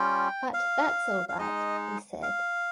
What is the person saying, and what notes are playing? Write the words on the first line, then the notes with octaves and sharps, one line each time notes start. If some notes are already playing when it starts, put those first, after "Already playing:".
"But that's all right," he said.
Already playing: G3 C#4 F4 G5
F5
F5
G#3 D#4 D#5
F5